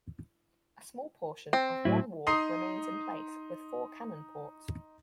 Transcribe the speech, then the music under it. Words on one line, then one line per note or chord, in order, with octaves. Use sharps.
A small portion of one wall remains in place with four cannon ports.
C4
A2 F#3 E4
D#4 C6 D#6 C7